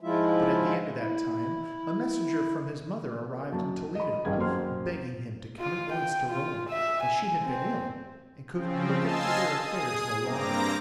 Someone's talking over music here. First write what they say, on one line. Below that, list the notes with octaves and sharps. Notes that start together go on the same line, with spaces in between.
But at the end of that time a messenger from his mother arrived in Toledo, begging him to come at once to Rome, as she had been ill, and could look after their affairs no longer.
G#2 F3 G#3 E4 F4 E5
E4
F#2 A#3 A5
D#5 B5
A1 G2 D#3 G#4 F5 G#6
F#2 A#3 C4 C5 C6 F6
F4
G5
F4
E5
G#5
C4
C#3 F3 C4
D#5 F5 G#5 A5 C6 E6
G#4 D#6
G2 A#3 C4 A#5 D6 A#6